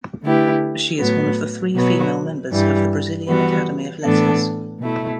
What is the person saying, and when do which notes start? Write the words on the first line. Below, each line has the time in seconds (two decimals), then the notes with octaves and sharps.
She is one of the three female members of the Brazilian Academy of Letters.
0.22 D3 A3 E4 G4 B4
0.99 A2 F#3 B3
1.75 B2 F#3 B3 F#4
2.51 G2 E3 G3
3.27 E3 G3 B3 F#4
4.04 A2 E3 B3 D4 A4
4.79 B2 A3 E4